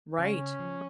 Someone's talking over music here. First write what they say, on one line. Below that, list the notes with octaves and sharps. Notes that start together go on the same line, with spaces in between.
Right. R
C#3 C#4
F3